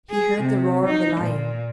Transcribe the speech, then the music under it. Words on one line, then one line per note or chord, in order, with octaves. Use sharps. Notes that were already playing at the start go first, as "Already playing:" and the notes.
He heard the roar of the lion.
G#4
C3
D#4
A#2